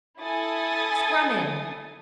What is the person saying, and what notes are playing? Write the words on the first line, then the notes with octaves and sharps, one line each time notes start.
Scrum in.
E4 A4 G#5 D#6 A6